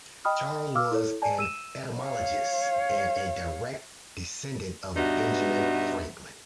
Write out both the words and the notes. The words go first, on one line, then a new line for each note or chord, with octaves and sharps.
Charles was an entomologist and a direct descendent of Benjamin Franklin.
D#5 G5 B5 D#6 F6
F5 D6 E6 F6
E4 A4 C#5
D5 G#5 A5
E6 D#7 E7
C#5 F5
G2 B2 D#4 F#4 E5